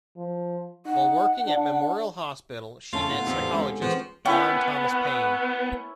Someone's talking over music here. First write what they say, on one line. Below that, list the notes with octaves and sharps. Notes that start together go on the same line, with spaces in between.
While working at Memorial Hospital, she met psychologist, John Thomas Payne.
F3
D#4 F#5
D4
F2 A3 C#4 F4 A5
C3 B3 D#4 F#5
E2 C4 G4
G4 A4
G#3 C#4
E3 F3 C4 G#4 F#5 C#6
B3 C#4 E4 A#4 G5